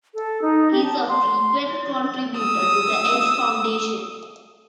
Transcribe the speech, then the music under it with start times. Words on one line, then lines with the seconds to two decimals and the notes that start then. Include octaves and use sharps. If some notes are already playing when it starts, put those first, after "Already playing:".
He is a frequent contributor to the Edge Foundation.
0.14 A4
0.42 D#4
0.72 G4
0.84 A5
1.08 C6
2.37 D#6 E6